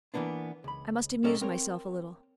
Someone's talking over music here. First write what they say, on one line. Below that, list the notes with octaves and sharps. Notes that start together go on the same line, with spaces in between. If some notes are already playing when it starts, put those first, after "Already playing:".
I must amuse myself a little.
E3 F#3 A#3 B3 D4
C#2 B5
B1 G3 C#4 A4 A#4 D#5
C4 A#4 C#5